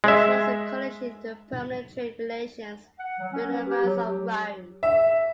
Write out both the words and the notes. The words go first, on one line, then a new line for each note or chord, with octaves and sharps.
This was a condition to permanent trade relations during the rise of Rome.
G#3 E5
F#5
F#3
C#4
B4
G4
F#3
E5